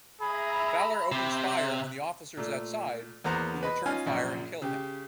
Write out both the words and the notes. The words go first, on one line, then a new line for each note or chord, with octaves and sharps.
Fowler opens fire on the officers outside, who return fire and kill him.
G#4 E5 A#5 B5
C3 G4 E5 F#6
A#2 A3
E2 A#3 B3 C5 A#5 F#6
B4 D#5 B5
C#4 D#4 F4 F5 G#5
A#1 F#2 A#2
C#3 G4